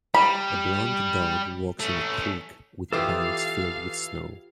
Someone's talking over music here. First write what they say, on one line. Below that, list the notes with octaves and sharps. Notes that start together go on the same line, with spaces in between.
A blond dog walks in a creek with banks filled with snow.
G3 B5
A3 C#4
E3 B3 F4 G4 A4 F5 D6 D#6